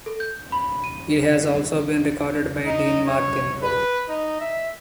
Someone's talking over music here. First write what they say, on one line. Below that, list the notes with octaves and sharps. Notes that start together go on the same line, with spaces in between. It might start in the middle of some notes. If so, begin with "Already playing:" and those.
It has also been recorded by Dean Martin.
A4
G6
B5
D#7
D#4
C#5
B4
D#4
E5